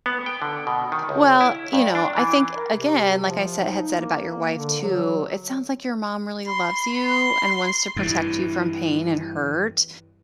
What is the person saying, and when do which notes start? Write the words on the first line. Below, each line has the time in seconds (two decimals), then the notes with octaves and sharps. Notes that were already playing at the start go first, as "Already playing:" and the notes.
Well, you know, I think, again, like I said had said about your wife too, it sounds like your mom really loves you, and wants to protect you from pain and hurt.
0.06 B3
0.26 G5
0.42 D3
0.67 B2
0.92 D#3
1.09 C#2
1.41 E4
1.73 G2
1.95 D4
2.17 E3
2.56 A#4
2.73 C3
3.24 F3
3.61 D#4
3.98 A#3
4.54 D3
4.81 F#3
6.46 B5 C6
7.04 C6
7.96 G2 E3